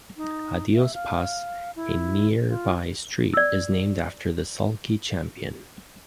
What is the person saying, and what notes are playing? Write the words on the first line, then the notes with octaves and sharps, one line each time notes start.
Adios Pass, a nearby street, is named after the sulky champion.
D#4
E5
F5
E4
F4
D5 E6